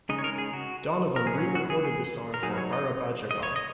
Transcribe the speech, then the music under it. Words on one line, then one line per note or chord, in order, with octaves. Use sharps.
Donovan re-recorded the song for "Barabajagal".
C#3 G#3 D#4 D#5
C#5
A#4
G#4
F#4
A#4
F#3 C#4 G#4
F#4
G#4
G#4
A#4
F#3 D#4 G#4
C#5
D#5
D#5
C#5
D#5